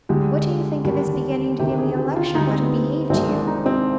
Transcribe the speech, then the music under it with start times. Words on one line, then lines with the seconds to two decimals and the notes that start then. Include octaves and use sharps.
What do you think of his beginning to give me a lecture how to behave to you?'
0.09 D2 D3 G#3 G4
0.85 D#2 D3 G3
1.59 D2 C3 D#3 G4
1.78 G#4
1.97 G4
2.16 F4
2.35 D2 D3 G3 D#4
2.47 C4
2.60 B3
3.10 C2 C3 D#3 G#3 C4
3.29 D4
3.47 D#4
3.66 C4